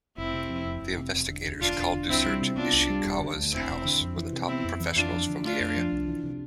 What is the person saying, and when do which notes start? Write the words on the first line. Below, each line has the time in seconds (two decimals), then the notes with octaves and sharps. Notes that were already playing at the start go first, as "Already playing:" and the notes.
The investigators called to search Ishikawa's house were the top professionals from the area.
0.18 F1 C4 E4
0.34 C3
0.49 F2
0.65 F1
0.82 F1
0.97 C3
1.14 E1
1.30 D3
1.46 D2
1.61 E1 D4 F4
1.78 E1
1.93 D3
2.09 C2 C4 E4
2.25 G3
2.42 C3
2.57 B3 D4 F4
2.73 C2
2.90 G3
3.05 E1
3.21 D3
3.37 D2
3.53 E1 C4 E4
3.69 E1
3.85 D3
4.01 F2
4.17 E3
4.33 C3
4.48 B3 C4 E4
4.64 F2
4.80 E3
4.96 F2 D4 F4
5.12 F3
5.28 D3
5.44 A3 D4 F4
5.60 F2
5.77 F3
5.92 C2
6.08 E3
6.24 C3